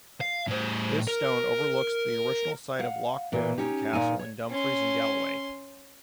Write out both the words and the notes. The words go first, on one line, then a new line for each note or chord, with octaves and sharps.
This stone overlooks the original site of Loch Doon Castle in Dumfries and Galloway.
F5
A2 C5
A#4
F5 F#5
A#2 E3
C#4 D#4 G4
A#2 D#4 G#5
C#5
C#4 C6